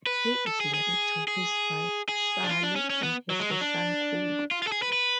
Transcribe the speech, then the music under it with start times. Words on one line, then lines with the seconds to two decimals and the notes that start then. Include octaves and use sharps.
He is married to his wife, Sally, and has a son, Cole.
0.06 B4
0.47 A4
0.60 G#4
0.74 G#4
1.28 G#4
2.09 G#4
2.44 D4
2.49 F4
2.63 D4
2.76 C#4
2.90 C#4
3.03 B3
3.30 F#3
3.40 G#3
3.50 F#3
3.61 D4
4.51 F4
4.62 F4
4.67 A4
4.72 G#4
4.82 B4
4.92 B4